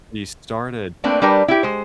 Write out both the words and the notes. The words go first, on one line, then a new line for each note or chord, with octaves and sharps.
she started
A3 A#3 C4 D4 B4
G3 D4 G4 A#4 B4
E4 G4
G#3 C5